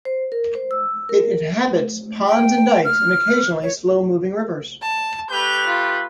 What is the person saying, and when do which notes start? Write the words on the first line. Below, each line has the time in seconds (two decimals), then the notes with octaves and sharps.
It inhabits ponds and dikes, and occasionally slow-moving rivers.
0.05 C5
0.32 A#4
0.55 C5
0.71 E6
1.09 A#4
2.27 G5
2.85 F6
3.62 C#5
4.82 A5
5.30 A3 G4 B4 G6 F7
5.67 F4